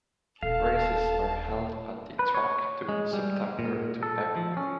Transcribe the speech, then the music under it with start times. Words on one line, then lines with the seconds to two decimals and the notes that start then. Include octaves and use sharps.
Races are held at the track during September to April.
0.43 D#1 A4 F5 A5
2.19 B4
2.35 C#5
2.89 G#3
3.13 G3
3.59 A#2
4.03 A4
4.36 F3
4.57 C#4